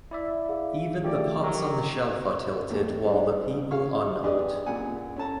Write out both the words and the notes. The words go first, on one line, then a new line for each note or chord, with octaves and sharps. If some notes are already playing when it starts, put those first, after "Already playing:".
Even the pots on the shelf are tilted while the people are not.
E4 D5 E5
G#4 F5
F3 A3 G4 D5
F#3 G4 A#4
E2 A3 G4 A4
G3 D4
F#4 C#5 F5
D4 G4 G#4 B4 D5 D#5
F#2 A#2 F#5 G#5
C#4 A4 A5 A#5